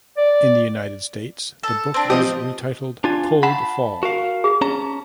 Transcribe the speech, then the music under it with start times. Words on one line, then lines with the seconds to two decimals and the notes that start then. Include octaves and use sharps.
In the United States, the book was retitled "Cold Fall".
0.18 D5
1.63 A4
1.94 C4 D4
2.10 F3 C4 G4 D#5 D#6
3.04 D4 F4 G#5
3.43 F#5 A5 B5
4.03 F#4 A#4 F5
4.44 G#4
4.61 C#4 A5 A#5